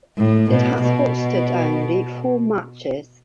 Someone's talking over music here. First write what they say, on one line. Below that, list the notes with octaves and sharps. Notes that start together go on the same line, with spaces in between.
It has hosted only four matches.
A2
B2
B2